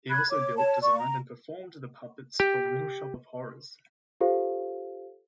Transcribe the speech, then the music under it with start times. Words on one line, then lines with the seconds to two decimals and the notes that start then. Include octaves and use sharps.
He also built, designed, and performed the puppets for "Little Shop of Horrors".
0.10 B5 F#6 G#6
0.30 C#5 D6
0.57 C#5 A5
0.82 D5 C#6
0.98 A#5
2.40 G4
4.21 F4 G4 A4 C5 F5